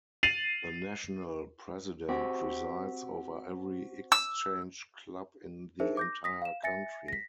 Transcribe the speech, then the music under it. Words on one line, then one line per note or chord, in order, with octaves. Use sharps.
The national president presides over every Exchange Club in the entire country.
A6 C7 D#7 F7 F#7
C4 F#4 G4
E6
D4 D#4 G#4 A#4 C5 E5
D6 G6 A#6
D#6 A#6 B6
F5 E7
E5 G#5 A6 A#6 C#7
A#6 B6